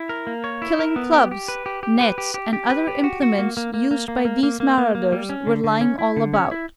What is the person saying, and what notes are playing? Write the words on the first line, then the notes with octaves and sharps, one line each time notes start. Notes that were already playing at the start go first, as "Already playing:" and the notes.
Killing clubs, nets and other implements used by these marauders were lying all about.
Already playing: E4
A#4
A#3
C#5
E4
A#4
B3
G4
G4
B4
G4
G4
B4
G4
G4
G4
B4
G4
F#4
F#4
A#3
A#3
A#3
A#3
A#3
A#3
A#3
A#3
A#3
A#3
G3
C#4
D3
D3
C#4
E4
D3
C#4
E4